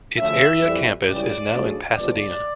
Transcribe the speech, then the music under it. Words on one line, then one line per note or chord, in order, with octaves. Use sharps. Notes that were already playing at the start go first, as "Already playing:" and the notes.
Its area campus is now in Pasadena.
D2 C#3 F3 E5
F2 E3 G3
C#2 C#3 E3 G3 D5
D2 C#3 F3
G1 G2 F3 D5